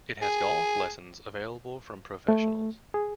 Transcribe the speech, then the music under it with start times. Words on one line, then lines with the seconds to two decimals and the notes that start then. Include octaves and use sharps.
It has golf lessons available from professionals.
0.22 G#4
2.29 A3
2.94 G#4